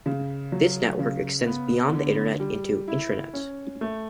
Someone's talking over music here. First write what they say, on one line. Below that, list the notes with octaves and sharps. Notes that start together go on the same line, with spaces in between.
This network extends beyond the Internet into Intranets.
C#3
F#3
C#3
B3
D3
G3
E4
C#4
A3